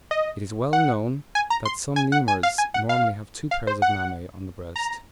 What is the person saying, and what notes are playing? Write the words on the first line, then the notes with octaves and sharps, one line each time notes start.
It is well known that some Lemurs normally have two pairs of mammae on the breast.
D#5
F#5
G#5
A#5
C6
G#5
F#5
G#5
F5
G#5
F#5
F5
F5
C5
F#5
A#5